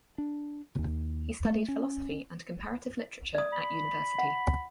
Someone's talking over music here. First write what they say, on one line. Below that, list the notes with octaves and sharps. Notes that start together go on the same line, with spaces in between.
He studied philosophy and comparative literature at university.
D4
D#2
A3
C#4
D5 D#6
B5
F#5